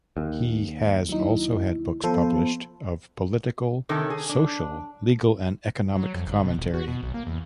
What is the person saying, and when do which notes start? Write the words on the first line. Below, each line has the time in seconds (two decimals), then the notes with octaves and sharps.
He has also had books published of political, social, legal and economic commentary.
0.17 D#2
1.09 F#3 D#4 E4
2.04 F3 B3 A4 C5
3.89 C3 D#3 C#4 A4
4.10 G#4
4.29 D4
5.96 F#3
6.14 F2
6.27 G1
6.43 B2
6.59 D#1
6.74 F#4
6.88 B2
7.03 B1
7.14 A#3
7.27 E2